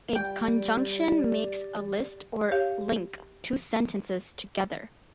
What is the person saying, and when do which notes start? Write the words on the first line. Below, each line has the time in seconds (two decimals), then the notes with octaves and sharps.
A conjunction makes a list or link two sentences together.
0.15 G3 G4 D5 G5
2.52 G4 C#5 F5